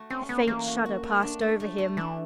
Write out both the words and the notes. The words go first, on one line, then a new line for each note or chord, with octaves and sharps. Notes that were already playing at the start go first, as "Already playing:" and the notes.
A faint shudder passed over him.
Already playing: A3 F#4
C4 C#4
A3 B3
E3 A#3
F#4
F#4
A3
D4
A3
A3
A3
E3 D4